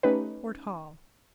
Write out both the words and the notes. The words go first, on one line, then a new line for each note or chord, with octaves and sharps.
Fort Hall.
A3 C#4 D#4 G4 B4